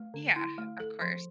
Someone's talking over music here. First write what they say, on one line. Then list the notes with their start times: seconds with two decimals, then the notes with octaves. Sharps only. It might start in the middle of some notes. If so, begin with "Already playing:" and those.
Yeah, of course.
Already playing: A3
0.14 D3
0.36 E4
0.58 A3
0.80 A4
1.02 F3